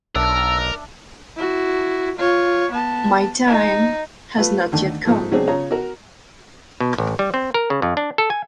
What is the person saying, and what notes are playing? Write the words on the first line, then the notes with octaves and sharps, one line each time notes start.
My time has not yet come.
B1 D4 A#4 E5 A5 E6
E4 F#4
F4 C#5
B3 A5
D#4
A3 F4 B4
D#2 D3 D#3 A3
G#2 F3 A3
C#3 F#3 G#3 C4 D4 G#4
C#3 F4 C#5 A#5
F#4 A#4
B2
A1
G3
C4
A#4
C#3
F2
D4
A4
G#5